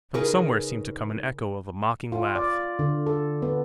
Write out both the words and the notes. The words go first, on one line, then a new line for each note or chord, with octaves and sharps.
From somewhere seemed to come an echo of a mocking laugh.
C#3 D#4 G#4 A#4 B4
F4
D5
D3
A4
B3